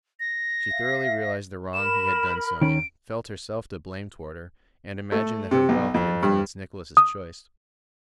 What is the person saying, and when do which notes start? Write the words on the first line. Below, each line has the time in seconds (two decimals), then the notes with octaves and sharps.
She thoroughly realized the wrong he had done Sonya, felt herself to blame toward her, and imagined that her wealth had influenced Nicholas' choice.
0.20 A#6
0.70 E5 F5
1.74 A#4 B5 E7
2.61 D#3 C#4 D7
5.12 A3
5.51 C3
5.69 B1
5.94 F2
6.23 G2
6.97 D#6